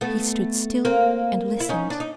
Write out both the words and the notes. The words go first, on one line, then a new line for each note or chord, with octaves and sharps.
He stood still and listened.
A3 B3
A#3 C4
E4
C#4 D#4
D4
D#4